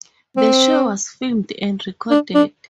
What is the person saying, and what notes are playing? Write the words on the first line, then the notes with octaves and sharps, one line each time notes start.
The show was filmed and recorded.
C4
D4
D4